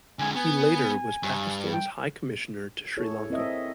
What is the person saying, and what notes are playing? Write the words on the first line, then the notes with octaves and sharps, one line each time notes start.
He later was Pakistan's High Commissioner to Sri Lanka.
D3 G#3 G#5
B3 G#5
G2
G5
E4 G#4 A4 C#5
C4 E4 A#4 D#5 E5